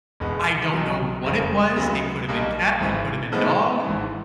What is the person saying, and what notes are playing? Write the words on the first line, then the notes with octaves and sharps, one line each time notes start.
I don't know what it was, it could've been cat, it could've been dog,
E1 E2 B2 G#3 B3
B1 B2 F#3
F#1 F2 C#3
D2 C#3 F#3 B3
B1 B2 G3 A#3
G#1 G#2 E3
A2 F3 G#3 B3 D#4
G#1 G#2 E3